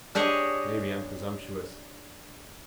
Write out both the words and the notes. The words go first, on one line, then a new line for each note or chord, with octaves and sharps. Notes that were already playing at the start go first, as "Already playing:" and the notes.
Maybe I'm presumptuous.
D4 G4 G#4 C#5 D#5